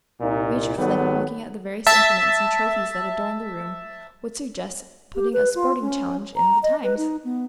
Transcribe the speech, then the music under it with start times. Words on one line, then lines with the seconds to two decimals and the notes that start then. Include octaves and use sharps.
Major Flint, looking at the various implements and trophies that adorned the room, would suggest putting a sporting challenge in The Times.
0.21 C2 A#2 D#4
0.77 G#1 D#3 F#3 G3 B3 A4
1.87 E5 A5
5.15 G4
5.33 B4
5.55 F4
5.82 C#4
6.36 A#5
6.63 D#5
6.83 B4
6.97 D#4
7.24 B3